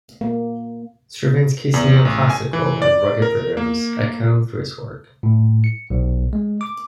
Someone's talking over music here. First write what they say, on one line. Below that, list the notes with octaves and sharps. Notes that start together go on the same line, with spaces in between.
Stravinsky's neo-classical and rugged rhythms echo through his work.
A#3
E2
A1
G#5
E3
D5
A#4
A#3
A2
C#7
B1
G#3
D6